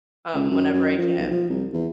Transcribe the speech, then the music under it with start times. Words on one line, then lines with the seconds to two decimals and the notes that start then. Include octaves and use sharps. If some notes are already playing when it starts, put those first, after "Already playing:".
um, whenever I can.
0.34 C#2
0.51 F#2
0.73 F#2
0.98 F3
1.18 B1
1.31 F3
1.49 C2
1.73 E2